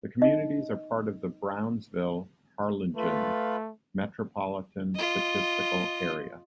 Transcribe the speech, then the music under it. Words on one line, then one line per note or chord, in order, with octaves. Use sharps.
The communities are part of the Brownsville-Harlingen Metropolitan Statistical Area.
D#4 D#5
A3 F4 B4
F4 D#5